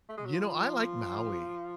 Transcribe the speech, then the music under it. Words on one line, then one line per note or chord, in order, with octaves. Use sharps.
You know, I like Maui.
A3
G#3
F#3
F3